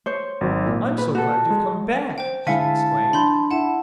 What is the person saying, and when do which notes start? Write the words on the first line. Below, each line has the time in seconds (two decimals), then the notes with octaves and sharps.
"I'm so glad you've come back!" she exclaimed.
0.06 C5 C#5
0.41 G#1 F#3
0.66 A#2
0.98 B4
1.15 F#4 A4
1.50 G#3
2.18 C5 G5
2.47 D3 G#3 E4 F5 G#5 A5 B6 C#7
3.13 D4 B5 C6 G6
3.51 E4 F#5 A5